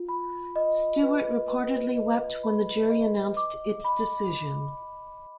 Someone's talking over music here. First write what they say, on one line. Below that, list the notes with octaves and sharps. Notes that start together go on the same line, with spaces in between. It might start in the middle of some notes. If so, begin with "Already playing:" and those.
Stewart reportedly wept when the jury announced its decision.
Already playing: F4
B5
D#5
B4
B4
D#5
B5
D#5
D6
B5